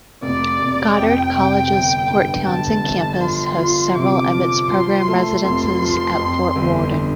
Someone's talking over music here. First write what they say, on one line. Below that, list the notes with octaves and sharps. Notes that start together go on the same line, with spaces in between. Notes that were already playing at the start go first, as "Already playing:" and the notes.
Goddard College's Port Townsend campus hosts several of its program residencies at Fort Worden.
F1 D5
F1
F2 G5
C3
G1
G2
G1 A5
G1
F3 C6
F4
C3 D6
F3
F3 C6
A3
F1 C6
F3
F2
G1
D3